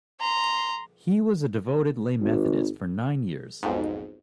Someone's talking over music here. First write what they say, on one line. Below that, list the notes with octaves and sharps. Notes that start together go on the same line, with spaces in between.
He was a devoted lay Methodist for nine years.
A#5 C6
G#1
B1 F2 G#2